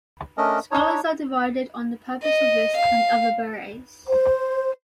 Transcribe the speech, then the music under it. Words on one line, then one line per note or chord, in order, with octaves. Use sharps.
Scholars are divided on the purpose of this and other barays.
A3 C#4 D4 A#4 D#5
D4 D#4 C#5
D#5
F5
C5